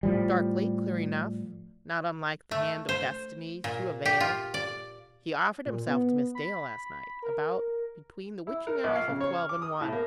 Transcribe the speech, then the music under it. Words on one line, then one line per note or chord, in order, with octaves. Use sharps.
"Darkly: clear enough: not unlike the hand of destiny--through a veil. He offered himself to Miss Dale last night, about between the witching hours of twelve and one."
A2 F3 G3
A3
C5
A#2
G4
F4
D5
A#2
B3
B5
A#4
E4
A#4
A#1
F5
C#3
C#5
F6
D6
D#6
A2
A#3